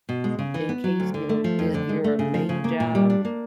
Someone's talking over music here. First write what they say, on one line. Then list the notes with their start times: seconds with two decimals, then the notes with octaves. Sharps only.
in case, you know, that your main job,
0.09 B2
0.24 G#3
0.39 C#3
0.54 E3
0.69 B3
0.84 F#3
1.00 D2
1.14 D3
1.29 A3
1.44 F3
1.59 F2
1.74 D3
1.89 G#3
2.04 A3
2.19 C#3
2.34 F3
2.49 C#3
2.64 A#3
2.80 A#2
2.95 G3
3.10 D4
3.25 A#3